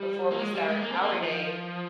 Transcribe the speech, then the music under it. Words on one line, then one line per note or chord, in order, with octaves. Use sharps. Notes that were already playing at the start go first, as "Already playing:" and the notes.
before we start our day,
Already playing: G3
A#3
G#3
G3
G#3
A#3
C4
A#3
F3
F3